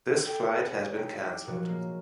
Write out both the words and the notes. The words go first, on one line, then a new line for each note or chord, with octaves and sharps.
This flight has been canceled.
A4 G5
G#4 C5 C#5 F#5 B5 D#6
D#4 E4 G5
G4 G6
A#2 F3 F#3 F#4
G#3 A#3